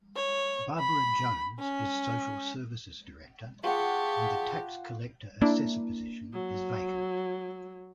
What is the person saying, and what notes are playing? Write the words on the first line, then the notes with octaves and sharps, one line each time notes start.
Barbara Jones is Social Services Director and the Tax Collector-Assessor position is vacant.
C#5
B5
C#4
F4 G4 G#4 F#5 A5 C#6
A#3 D4 E4
F#3